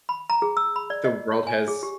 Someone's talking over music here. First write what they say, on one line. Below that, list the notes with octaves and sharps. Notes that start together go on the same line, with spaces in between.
the world has,
B5
A#5
G#4
E6
B5
D5
D#5
C#5
G#5
G#4
G4